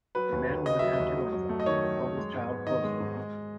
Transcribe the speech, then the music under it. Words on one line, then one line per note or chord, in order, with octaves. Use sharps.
A man with a tattoo on his arm, held his child closely.
F#3 B4
D#2
D#2
C#3 D#5
F#3 E5
D#5
D#2
F#3
F#2
A3
D#5
D#3 C#5
F#3
F#2
G#3
G#2
B3
D#3 D#5
G#3
G#2
G#3